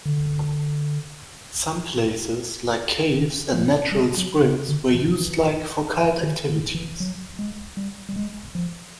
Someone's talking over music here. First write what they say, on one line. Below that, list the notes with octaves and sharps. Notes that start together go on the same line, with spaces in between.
Some places like caves and natural springs were used like for cult activities.
D3
D#3
F3
G3
F#3
C#3
D3
E3
E3
D#3
D#3
E3
F#3
G#3
G3
G3
G#3
F3